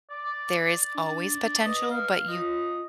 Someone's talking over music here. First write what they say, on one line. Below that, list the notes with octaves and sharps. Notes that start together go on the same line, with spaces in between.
there is always potential, but you
D5 D6
D4
B4 D#5
F5
F4 D#5